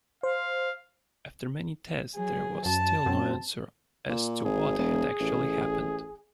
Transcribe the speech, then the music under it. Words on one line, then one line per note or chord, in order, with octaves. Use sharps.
After many tests there was still no answer as to what had actually happened.
C5 F5
F#3 G#4
F#2 A5
F#2 C4
A#2
G#1 G#4
E1
A1